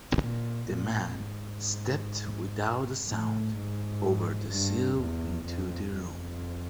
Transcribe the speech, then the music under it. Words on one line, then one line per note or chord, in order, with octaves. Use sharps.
The man stepped without a sound over the sill into the room.
A#2
A#2
G#2
A2
G#2
G2
E2
F2
F2